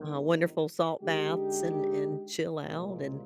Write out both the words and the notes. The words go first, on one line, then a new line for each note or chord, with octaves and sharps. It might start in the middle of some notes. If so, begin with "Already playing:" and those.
uh, wonderful salt baths, and and chill out, and,
Already playing: G1 G2 D#3
D3 G#3 D#4 G4
C2 A#2 G#3